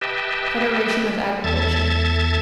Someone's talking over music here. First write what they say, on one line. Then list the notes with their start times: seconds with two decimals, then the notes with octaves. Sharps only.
Federation of Agriculture.
0.01 G4 B4 D#5 E5 G5 A5
1.44 E2 A4 E5 A5 G#6 A6